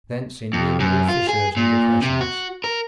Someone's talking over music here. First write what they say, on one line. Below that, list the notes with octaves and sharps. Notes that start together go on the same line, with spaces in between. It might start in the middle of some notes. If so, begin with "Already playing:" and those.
Thence innumerable fissures and depressions.
F2
F#2
F4
G#4
A#2
C3
F#4
A#4